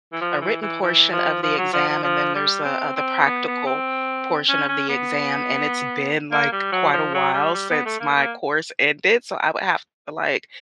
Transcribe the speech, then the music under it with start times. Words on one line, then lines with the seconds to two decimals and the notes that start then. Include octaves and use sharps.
a written portion of the exam, and then there's a, uh, the practical portion of the exam, and it's been, like, quite a while since my course ended, so I would have to, like
0.13 E3
0.21 F3
0.41 E3
0.62 E3
0.82 E3
1.12 F3
1.42 F3
1.58 F#3
1.73 F3
1.89 F3
2.04 F3
2.35 G3
2.65 C4
2.96 C4
3.26 B3
3.47 B3
3.67 C4
4.48 C#4
4.69 C#4
4.89 B3
6.32 A#3
6.52 G3
6.72 F#3
6.93 F3
7.14 F#3
7.34 G3
7.54 G3
7.70 B3
7.85 A3
8.00 A#3
8.15 A#3